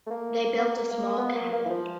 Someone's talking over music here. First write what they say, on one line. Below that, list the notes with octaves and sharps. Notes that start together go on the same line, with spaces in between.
They built a small cabin.
A3
A#3
B3
A#3
A#3
B3
A#3
A#3
E3
F3